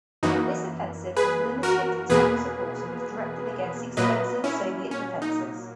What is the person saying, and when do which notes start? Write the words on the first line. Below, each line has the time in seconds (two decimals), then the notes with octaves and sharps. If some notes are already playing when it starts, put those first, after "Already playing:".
This offensive had limited tank support and was directed against extensive Soviet defenses.
0.23 F#2 E3 A#3 D#4 F#4
1.17 G#4 B4
1.63 F#4 A#4
2.10 E2 B2 A#3 G#4 B4
3.97 A#2 F#3 A#3 B4 D#5
4.44 C#4 E4
4.91 C#4
5.22 D#4